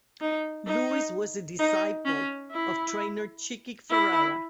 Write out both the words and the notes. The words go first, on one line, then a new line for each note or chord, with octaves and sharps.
Lewis was a disciple of trainer Chickie Ferrara.
D#4
D#4
D#4
C#4
E4
E4